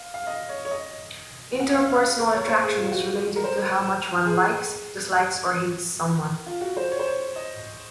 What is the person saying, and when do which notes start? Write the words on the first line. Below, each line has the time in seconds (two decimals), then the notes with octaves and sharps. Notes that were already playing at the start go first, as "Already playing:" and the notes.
Interpersonal attraction is related to how much one likes, dislikes or hates someone.
Already playing: F5
0.14 F5
0.27 D#5
0.49 C#5
0.65 C#5
0.71 D#5
1.60 F#5
1.74 F5
1.89 F5
2.04 F5
2.18 A#4
2.33 C#5
2.47 C5
2.63 G#4
2.77 F4
2.92 F#4
3.36 A#4
3.44 C5
3.51 A#4
4.25 G#4
6.46 F4
6.61 F#4
6.77 C5
6.92 C#5
6.99 C5
7.08 C#5
7.36 D#5